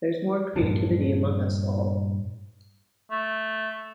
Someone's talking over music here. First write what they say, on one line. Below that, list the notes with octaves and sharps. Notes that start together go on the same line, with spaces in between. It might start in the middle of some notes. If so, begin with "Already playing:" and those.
There's more creativity among us all.
G2 A#2 F3 D4
A3